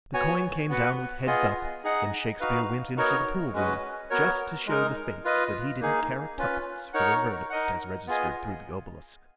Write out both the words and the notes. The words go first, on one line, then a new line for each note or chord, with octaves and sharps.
The coin came down with heads up, and Shakespeare went into the pool-room, just to show the Fates that he didn't care a tuppence for their verdict as registered through the obolus.
B3 F#4 C#5 G#5
B3 F#4 B4 F#5
B3 F4 G#4 D#5
D#4 G#4 D#5 F#5
D#4 F#4 B4 F5
B3 D#4 F#4 A#4 C#5
G#3 C#4 F#4 B4 D#5
B3 F#4 A#4 C#5
G#3 D#4 A#4
F4 B4 D#5
A#3 D#4 G#4
C#4 F4 B4
D#4 A#4 C#5 F#5
D#4 A#4 D#5 F#5
B3 F4 G#4 D#5 G#5